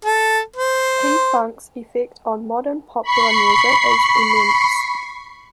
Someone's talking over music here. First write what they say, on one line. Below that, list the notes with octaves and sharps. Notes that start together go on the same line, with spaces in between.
P-Funk's effect on modern popular music is immense.
A4
C5
B5 C#6 C7